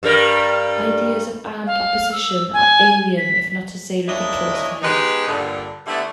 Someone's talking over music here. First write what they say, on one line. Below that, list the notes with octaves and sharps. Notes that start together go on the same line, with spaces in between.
Ideas of armed opposition are alien if not to say ridiculous for him.
G2 G3 A#4
F5
E6
G#5
B6
D#2 D4 E4 C#5 D#5
G#3 B3 D#4 G4 B4
G2 A#2 D3
D3 G3 A3 B3 E4